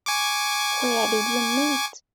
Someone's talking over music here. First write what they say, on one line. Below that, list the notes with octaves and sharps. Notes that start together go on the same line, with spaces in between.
Where did you meet?
G#5 C#6 D6